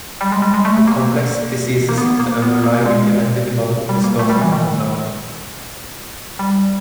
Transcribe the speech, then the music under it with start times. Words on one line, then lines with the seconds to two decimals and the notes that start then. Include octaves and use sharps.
For complex diseases, the underlying genetic model is often unknown.
0.21 G3
0.32 G#3
0.42 G3
0.54 G#3
0.65 A3
0.87 A#3
1.89 A#3
1.98 B3
2.20 A#3
2.42 B3
2.64 A#3
2.86 G#3
3.89 G3
4.04 A#3
4.19 A3
4.30 G3
4.41 E3
4.52 D#3
6.39 G3